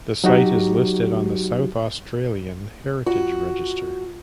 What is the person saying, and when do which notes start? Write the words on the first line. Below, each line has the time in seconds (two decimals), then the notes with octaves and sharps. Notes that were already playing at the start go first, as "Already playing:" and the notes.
The site is listed on the South Australian Heritage Register.
0.24 F#3 D#4 F#4 G4
3.06 F4 F#4